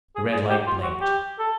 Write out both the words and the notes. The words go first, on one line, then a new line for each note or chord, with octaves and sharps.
The red light blinked.
G#4
G#4
G4
F4
F#4
G4
A4